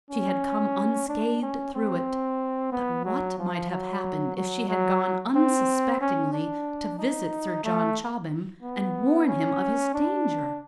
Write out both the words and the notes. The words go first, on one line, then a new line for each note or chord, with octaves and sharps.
She had come unscathed through it, but what might have happened if she had gone unsuspectingly to visit Sir John Chobham and warn him of his danger?
C#4
D4
C#4
C4
B3
F#3
F3
F#3
F#3
F#3
C4
C#4
D4
D#4
A3
B3
C#4
D4